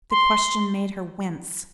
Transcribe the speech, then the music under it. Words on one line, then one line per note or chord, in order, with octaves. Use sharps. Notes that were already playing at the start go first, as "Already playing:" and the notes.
The question made her wince.
C6